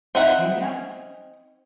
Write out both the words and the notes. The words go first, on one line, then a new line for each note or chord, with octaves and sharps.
I know.
C4 D#4 E5 F#5 B5